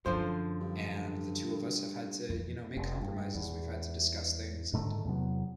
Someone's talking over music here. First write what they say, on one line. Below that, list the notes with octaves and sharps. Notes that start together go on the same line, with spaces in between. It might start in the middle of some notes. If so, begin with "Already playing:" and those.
and the two of us have had to, you know, make compromises. We've had to discuss things and,
F#2 D3 F3 C5
G2
F2 E3
F1
G2
E2
G#2 D3 D#3 A3
E2 C3 F#3 B3